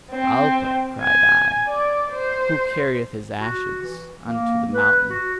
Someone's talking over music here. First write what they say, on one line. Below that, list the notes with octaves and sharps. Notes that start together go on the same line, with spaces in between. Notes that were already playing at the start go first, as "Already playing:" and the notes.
Alpa! cried I, who carrieth his ashes unto the mountain?
C4
G#5
D5
C5
F#4
E3
A#3
B4
F#4